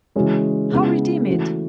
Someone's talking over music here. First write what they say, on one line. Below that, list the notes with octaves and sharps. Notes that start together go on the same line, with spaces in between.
How redeem it?'
C#3 E3 G#3 C#4 F#4
C#3 G#3 B3 E4
E3 A3 C#4 F#4